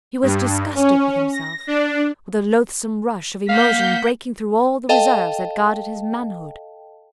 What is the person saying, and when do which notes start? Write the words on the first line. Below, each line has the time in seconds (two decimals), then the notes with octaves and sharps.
He was disgusted with himself, with the loathsome rush of emotion breaking through all the reserves that guarded his manhood.
0.23 G2
0.75 C#4
1.32 A#6
1.67 D4
3.49 A#3 F5 F#5 G6 B6
4.89 A4 D#5 F5 G5 A5